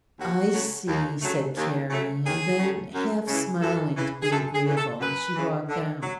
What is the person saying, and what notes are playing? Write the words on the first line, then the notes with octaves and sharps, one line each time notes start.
"I see," said Carrie, and then, half-smiling to be agreeable, she walked out.
D#2 F#4
C#3 F#3 A3
D#2
C#3 F#3 A3
D#2
C#3 F#3 A3
D#2 G#4
C#3 F#3 A3
F#2
C#3 E3
F#2 A4
C#3 E3
G#4
F#2 A4
G#4
C#3 E3
A4
F#2 B4
C#3 E3
D3
F#3